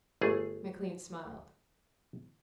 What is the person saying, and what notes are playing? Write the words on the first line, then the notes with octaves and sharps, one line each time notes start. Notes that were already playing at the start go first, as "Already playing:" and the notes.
McLean smiled.
G1 A3 G#4